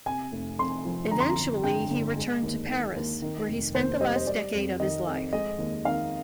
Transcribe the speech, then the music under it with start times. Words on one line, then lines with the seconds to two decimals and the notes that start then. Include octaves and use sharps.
Eventually he returned to Paris, where he spent the last decade of his life.
0.06 C3 G#5
0.32 F1
0.59 F2 C6
0.85 F3
1.11 D3 A#5
1.20 C6
1.29 A#5
1.38 G1
1.64 G2 G5
1.91 G1
2.17 G#3
2.43 D#2
2.70 D#3
2.96 D#2
3.22 D#3
3.48 F1
3.75 D#2 C5
4.00 G3 D#5
4.16 C5
4.27 G3 D5
4.54 F2
4.80 D#3 D#5
5.06 F2
5.33 G#3 D#5
5.58 D#2
5.85 D#3 F5